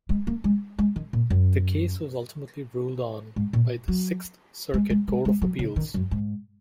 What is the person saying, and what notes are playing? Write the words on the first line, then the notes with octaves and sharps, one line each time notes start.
The case was ultimately ruled on by the Sixth Circuit Court of Appeals.
G#3
A#3
G#3
G#3
D#3
A#2
F#2
G#2
A#2
F#3
G#3
G#3
G#3
G#3
F#3
C#3
D#3
F#2
G#2